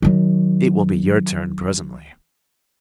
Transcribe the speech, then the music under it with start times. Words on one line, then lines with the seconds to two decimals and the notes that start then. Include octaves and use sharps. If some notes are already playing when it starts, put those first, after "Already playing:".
"It will be your turn presently!"
0.02 D#3 F#3